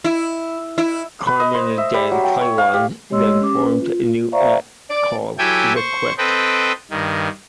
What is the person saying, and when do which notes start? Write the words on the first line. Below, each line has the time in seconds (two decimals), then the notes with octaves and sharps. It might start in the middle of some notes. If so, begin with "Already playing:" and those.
Carmen and Dann Klawon then formed a new act called The Quick.
0.04 E4
0.78 E4
1.27 B4
1.40 D#5
1.55 C5
1.78 E5
1.94 G3
2.11 F#3
2.24 G5
2.41 C#5
2.58 F5
2.74 G4
3.10 G#3 G4 C#5 D#5 C6 E6
3.41 C#4 G4 D6
3.56 C#4 B4
3.81 F4
4.32 C5 D5 E5 F5 A#5 C#6
4.90 D5
5.38 F#3 E4 G4 A4 G5 G#5
5.76 C5 C#6
6.18 C4 A4 B4 D#5 G5
6.91 G2 D#3